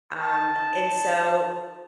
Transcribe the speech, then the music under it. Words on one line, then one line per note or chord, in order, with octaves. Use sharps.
Um, and so
D#4 A5